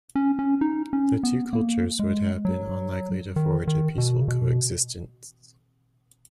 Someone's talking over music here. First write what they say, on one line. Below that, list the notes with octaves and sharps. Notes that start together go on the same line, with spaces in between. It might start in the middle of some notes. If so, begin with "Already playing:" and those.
The two cultures would have been unlikely to forge a peaceful co-existence.
C#4
C#4
D#4
C#4
B3
A#3
G#3
F#3
D#3
D#3
B2
C#3
B2